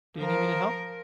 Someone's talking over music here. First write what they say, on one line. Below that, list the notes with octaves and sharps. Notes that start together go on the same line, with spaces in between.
Do you need me to help?
F3 A#4